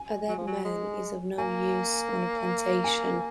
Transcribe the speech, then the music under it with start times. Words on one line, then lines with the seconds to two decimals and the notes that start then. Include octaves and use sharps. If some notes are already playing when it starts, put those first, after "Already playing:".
A dead man is of no use on a plantation.
Already playing: G#5
0.29 F#3
0.38 F3
0.47 F#3
0.65 G#3
1.38 A#3 G#5
2.84 G#5